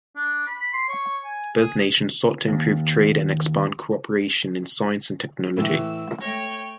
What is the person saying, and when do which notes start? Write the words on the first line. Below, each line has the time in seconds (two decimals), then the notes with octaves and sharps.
Both nations sought to improve trade and expand cooperation in science and technology.
0.16 D4
0.47 B5
0.73 C6
0.89 C#5
1.24 G#5
1.55 G#4
2.48 D#2
5.57 A2 E3 E6
6.21 A3 C#5 G5 A#6